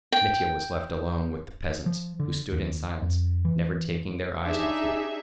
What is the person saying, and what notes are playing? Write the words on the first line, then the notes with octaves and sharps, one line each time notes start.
Mitya was left alone with the peasants, who stood in silence, never taking their eyes off him.
G5
F3
D3
D#2
F2
E3
D4 D#4 G4 G#4 E5